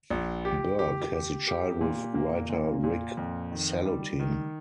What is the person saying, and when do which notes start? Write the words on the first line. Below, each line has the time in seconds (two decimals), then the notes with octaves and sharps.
Burke has a child with writer Rick Salutin.
0.10 A#1
0.45 G4
0.79 G4
1.14 G4
1.47 G4
1.81 A#2
2.15 A#3
2.49 A#2
2.84 A#2
3.17 F2
3.52 D#3
3.85 G3
4.20 D#3